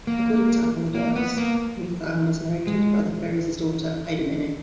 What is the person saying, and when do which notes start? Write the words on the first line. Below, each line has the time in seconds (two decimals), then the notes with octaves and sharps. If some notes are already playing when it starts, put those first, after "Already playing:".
According to Apollodoros, Amythaon is married to his brother Pheres' daughter, Eidomene.
0.07 A#3
0.95 A#3
1.15 B3
1.37 A#3
2.67 G#3